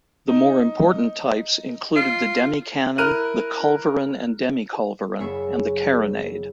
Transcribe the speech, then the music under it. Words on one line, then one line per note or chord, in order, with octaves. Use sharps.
The more important types included the Demi-cannon, the Culverin and Demi-culverin, and the Carronade.
D#4
F4
E4 A#4 F6 F#6 D#7
F#1 G#4 C#5 E5 B5 C#6